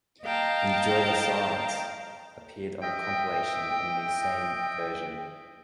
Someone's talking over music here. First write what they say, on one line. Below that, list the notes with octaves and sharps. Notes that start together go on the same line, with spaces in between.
"Enjoy the Silence" appeared on the compilation in the same version.
D#5 F5 G5 A5 A#5
D#5 E5 G5